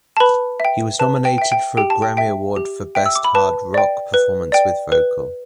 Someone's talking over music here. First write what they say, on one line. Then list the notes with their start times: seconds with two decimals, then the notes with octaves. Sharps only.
It was nominated for a Grammy Award for Best Hard Rock Performance with Vocal.
0.17 A5
0.20 B4 B5
0.60 E5 G5
0.99 B4 A5
1.25 G5
1.38 E5 G5
1.52 G5
1.77 G4 G5
1.90 A5
2.02 G5
2.17 E5 G5
2.56 G4
2.95 E5 G5
3.06 E6
3.15 D6
3.24 B5
3.35 B4 A5
3.74 D5 G5
4.14 B4
4.52 D5 G5
4.92 B4